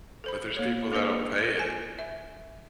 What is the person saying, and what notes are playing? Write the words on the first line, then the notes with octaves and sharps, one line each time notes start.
But there's people that'll pay it,
A4 C5 B5
A#3 C#5
A#3 D4 B4 D#5
G#5
E5